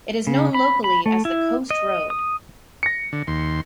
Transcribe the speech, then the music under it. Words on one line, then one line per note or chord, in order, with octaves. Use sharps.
It is known locally as the Coast Road.
C#3
B5
B5
A3
E4
D#5
D#6
A#6 C#7
D3
D#2 C6